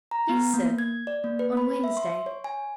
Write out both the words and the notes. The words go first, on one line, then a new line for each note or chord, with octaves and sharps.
"Yes, sir, on Wednesday."
A#5
B3
A#3
G#6
D5
A#3
B4
B5
E5
C6
C#5
G#5